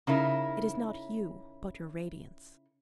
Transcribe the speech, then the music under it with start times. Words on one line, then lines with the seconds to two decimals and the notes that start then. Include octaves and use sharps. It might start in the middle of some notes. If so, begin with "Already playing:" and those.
It is not you, but your radiance.
0.07 C#3 D#4 E4 A#4